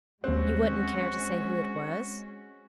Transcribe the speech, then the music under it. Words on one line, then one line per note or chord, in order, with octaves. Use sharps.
'You wouldn't care to say who it was?'
D#2 G#3 C4 C#4 F#4 F#6